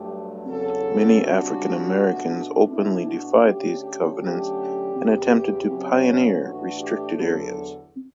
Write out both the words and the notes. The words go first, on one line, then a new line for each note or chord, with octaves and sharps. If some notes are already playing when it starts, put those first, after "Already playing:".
Many African Americans openly defied these covenants and attempted to "pioneer" restricted areas.
Already playing: G2 F#3 A3 G4
E2 C#3 F#3 C#4 A4
C#3 G3 D4 F#4
B2 A3 D4
B2 A3 D4 E4
F#4
D3 A3 C#4 G4
G4
D3 F#3 A3 C#4 G4
E2 C#3 E3
C#3 F#3 C#4
A2 E3 A3 D4 F#4
G4
E2 D3 F#3 A4